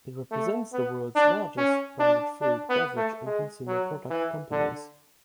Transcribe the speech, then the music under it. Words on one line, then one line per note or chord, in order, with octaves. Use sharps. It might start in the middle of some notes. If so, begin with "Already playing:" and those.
It represents the world's largest branded food, beverage and consumer product companies.
A3
B3
D4
C#4
D4
D4
B3
A3
G#3
F#3
E3
D3